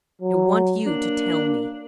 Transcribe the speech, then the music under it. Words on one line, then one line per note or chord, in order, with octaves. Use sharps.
"I want you to tell me."
F#3
A#3 D4